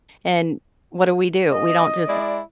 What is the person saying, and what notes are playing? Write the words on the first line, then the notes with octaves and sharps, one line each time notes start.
And what do we do? We don't just,
D#5
G#3 E4 D5